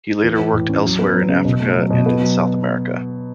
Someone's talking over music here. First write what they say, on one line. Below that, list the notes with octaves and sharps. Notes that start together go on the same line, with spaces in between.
He later worked elsewhere in Africa, and in South America.
E3
E3
A2
C#4
F#3
B3
F#3
C#3
B2
A3
F#3
B2
B3
F#3